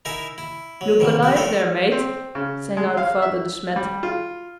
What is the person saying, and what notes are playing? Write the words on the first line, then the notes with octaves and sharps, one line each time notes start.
"Look alive there, Mate!" sang out Father De Smet.
D#4 E4 A#4 E5 G#5
E4
F#3
G#2 C3 D#3 E3
F3 G3 E4
A3 A4 A#4 C5
C4
C#3
G#3
F5
E5
G3
F4